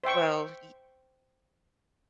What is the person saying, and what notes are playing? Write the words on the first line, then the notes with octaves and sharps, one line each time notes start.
Well, y
C5 E5 G5 C#6